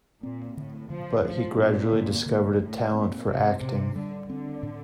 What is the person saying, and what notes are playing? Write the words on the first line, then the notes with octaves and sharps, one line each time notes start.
But he gradually discovered a talent for acting.
A#2 C4
A2 D3
D3 F3
F3 A3
A#2 C4
D3
A#2 D3
A2 A3
A#2 C4
A2 C3
A2 C3
D3 G3
D3 C4
A2